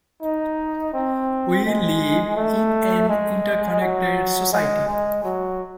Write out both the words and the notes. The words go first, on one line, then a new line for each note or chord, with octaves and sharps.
We live in an interconnected society.
D#4
C4
G#3
A3
G#3
F#3
G#3
G#3
F#3